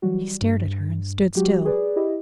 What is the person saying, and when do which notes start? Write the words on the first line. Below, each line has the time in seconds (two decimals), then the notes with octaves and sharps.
He stared at her and stood still.
0.02 E3 F#3 G3 F#4
0.21 G3
0.41 G2
1.36 F#3 G#3 F#4 G4
1.65 G#4 B4 D5
1.96 E4 G4 D#5